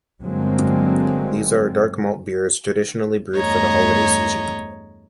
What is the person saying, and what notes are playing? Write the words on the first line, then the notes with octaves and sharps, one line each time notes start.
These are dark malt beers traditionally brewed for the holiday season.
G1 D3 F#3 G#3 A#3 C4
E2 G2 A3 C#5 D#5 A#5